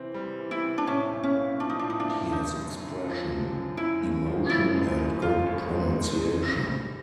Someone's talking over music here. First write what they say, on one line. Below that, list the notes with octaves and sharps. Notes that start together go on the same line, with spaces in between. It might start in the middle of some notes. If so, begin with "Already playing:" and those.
He has expression, emotion and good pronunciation.
Already playing: C3 E3 C4
G3
E3
E4
C3
D4
A2 C#4
B1
C#4
A#3
F3 D4
D#4
A2 D4
D#4
D4
B1
D3 D#4
F#2
F#2
F3
D3
F#2
F#2 E4
G#1
F3
C#3 E4
F#2
G#1
G#2 F4
A#1
G#3
D#3
G#2
A#1
G3